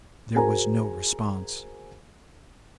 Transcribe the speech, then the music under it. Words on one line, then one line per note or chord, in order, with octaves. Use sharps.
There was no response.
F#4 G#4 A#4 C5 G#5 A#5